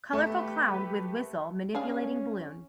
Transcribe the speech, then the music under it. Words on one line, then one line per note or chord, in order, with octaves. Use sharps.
Colorful clown with whistle manipulating balloon.
A3 G4 B4
G3 C#4 G#4 F5